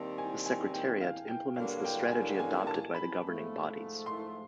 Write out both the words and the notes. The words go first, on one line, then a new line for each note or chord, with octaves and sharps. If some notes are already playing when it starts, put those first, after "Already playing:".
The Secretariat implements the strategy adopted by the governing bodies.
Already playing: D#2 D#3 G3 C4 A5
G#5
G#5
G5
F5
G5
G2 D3 F#3 A#3 F5
G5
G#5
G#5
A5
B5
G#2 F3 A3
C6